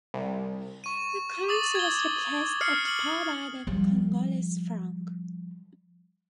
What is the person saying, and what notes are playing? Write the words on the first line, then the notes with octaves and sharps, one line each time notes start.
The currency was replaced at par by the Congolese franc.
C2
C#6 D#7
D6 D#6 A6 F#7
G#6 G7
D#6 F6 C7 C#7
F6 F#7
F3 G3